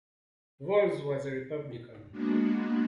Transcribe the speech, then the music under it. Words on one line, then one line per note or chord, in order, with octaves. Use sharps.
Volz was an Republican.
G#3 A#3 B3 D4 F#4